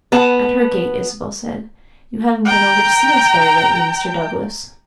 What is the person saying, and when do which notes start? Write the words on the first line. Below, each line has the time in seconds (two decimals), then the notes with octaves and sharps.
At her gate Isabel said, "You haven't been over to see us very lately, Mr. Douglas."
0.12 B3 A5
2.45 G5 A#5